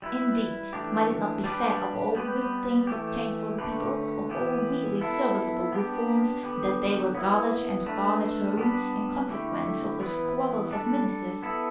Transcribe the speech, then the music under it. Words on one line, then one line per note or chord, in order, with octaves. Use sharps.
Indeed, might it not be said of all the good things obtained for the people, of all really serviceable reforms, that they were gathered and garnered home in consequence of the squabbles of Ministers?
G3 E4 B4
E3 A3 D4 G4
G3 D4 G4 B4
G3 B3 G4 B4
E3 A3 G4
D3 A3 G4 B4
E3 B3 G4
B3 E4 A4
B3 D4 G4
D3 B3 G4 B4
B3 E4 B4
A3 D4 B4
G3 B3 D4 B4
D3 A3 E4 G4
E3 B3 E4 B4
G3 D4 A4
B3 E4 A4